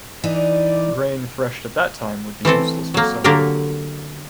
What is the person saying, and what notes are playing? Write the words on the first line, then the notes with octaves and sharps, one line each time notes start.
Grain threshed at that time would be useless for sowing.
E3 D#4 D5
E3 A3 C4 A4
F#3 A#3
D3 F#3 A#3 D4 G4 A#4